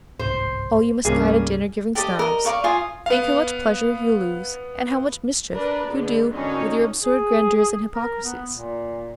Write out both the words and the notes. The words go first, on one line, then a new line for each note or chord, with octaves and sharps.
O you misguided dinner-giving Snobs, think how much pleasure you lose, and how much mischief you do with your absurd grandeurs and hypocrisies!
G1 C2 G#2 C5
C2 G2 A#3 C#4 G#4
G4 A4 D5 D#5
A#4 D#5
D5 F5 C#6
F4 F5 G#5 D#6
B3 F5
D4 A#4 B4 D5
D3 G#3 B3
D3 D#3 C#4 D#4 F#4 C#5
G#4
A#4
B3
A#2